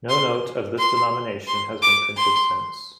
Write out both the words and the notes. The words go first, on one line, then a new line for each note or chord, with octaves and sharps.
No note of this denomination has been printed since.
C6
C6
C6
D6
C6